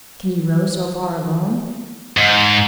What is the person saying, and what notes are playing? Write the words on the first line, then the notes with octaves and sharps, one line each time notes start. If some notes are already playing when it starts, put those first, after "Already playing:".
"Can you row so far alone?"
G#2